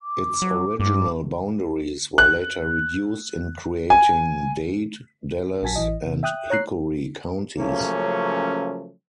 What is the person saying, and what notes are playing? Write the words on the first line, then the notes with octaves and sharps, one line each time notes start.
Its original boundaries were later reduced in creating Dade, Dallas, and Hickory counties.
D6
F#3
G2 D6
F#6
G#5
A#1 F#3 F#4 G#5 A5 B6
A1 E3 D#5
C3
E5 G5 D#6 F#6
C#5 A#5 F#6 C7
C#3 F3 F#3 A3 A#3 C#4